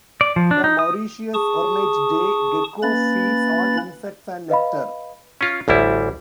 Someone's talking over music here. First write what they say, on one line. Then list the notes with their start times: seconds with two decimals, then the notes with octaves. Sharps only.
The Mauritius ornate day gecko feeds on insects and nectar.
0.21 D5
0.36 F3
0.51 D4
0.64 D#4
0.79 D#6
1.34 G#4 A5 C#6 D#6
2.83 A#3 C#4 B4 B5 A6
4.50 B4 D#5 F5 B5
5.41 C#4 F4
5.68 A1 D2 G3 E4